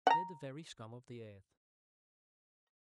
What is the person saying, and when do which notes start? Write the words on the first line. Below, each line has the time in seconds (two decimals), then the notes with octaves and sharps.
They're the very scum of the earth.
0.07 F#5 A#5